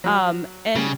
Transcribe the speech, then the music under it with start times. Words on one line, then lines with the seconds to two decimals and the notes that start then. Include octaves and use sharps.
Um, and
0.04 F#3 F#4
0.75 C#3 G3